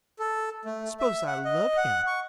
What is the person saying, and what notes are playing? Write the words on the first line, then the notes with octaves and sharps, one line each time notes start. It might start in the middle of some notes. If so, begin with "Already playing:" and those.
"S'pose I love him?"
A4
A3
E5
F#5
D#5
F#5
C#6